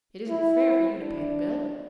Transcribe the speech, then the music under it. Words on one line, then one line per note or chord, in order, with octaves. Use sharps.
It isn't fair for you to pay the bill.
E4
D4